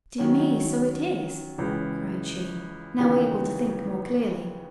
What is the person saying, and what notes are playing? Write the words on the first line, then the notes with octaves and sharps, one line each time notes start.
"Dear me; so it is!" cried she, now able to think more clearly.
D#3 F#3 C#4
C#2 C#3 E3
D#2 C#3 E3 B3 D#4